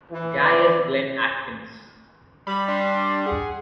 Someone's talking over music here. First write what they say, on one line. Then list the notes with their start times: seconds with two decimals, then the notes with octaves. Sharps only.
Gaius Glenn Atkins.
0.11 E3
0.45 D5
2.47 G3 B5
2.68 D4 C6
3.26 G#4 F#5